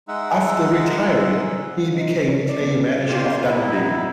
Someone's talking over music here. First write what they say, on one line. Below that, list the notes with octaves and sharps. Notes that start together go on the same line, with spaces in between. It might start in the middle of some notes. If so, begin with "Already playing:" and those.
After retiring, he became player-manager of Dundee.
G#3 D#4 E5 F#5
F4
D#4
A#4
C#4
D5
B3
A#2 F4 G4 G#4 C6
D#4 E4 G4 F#5